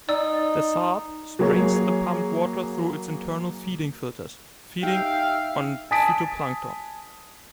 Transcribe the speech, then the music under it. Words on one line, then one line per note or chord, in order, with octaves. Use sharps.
The salp strains the pumped water through its internal feeding filters, feeding on phytoplankton.
D#4 D5 E6
F#3 A#3 G#4 C#5
D#4 G4 E5 F5 G5
G#5 A5 D#6 B6 D7